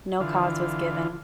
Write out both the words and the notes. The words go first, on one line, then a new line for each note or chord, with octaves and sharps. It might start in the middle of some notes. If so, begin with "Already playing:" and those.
No cause was given.
D3 E3 F4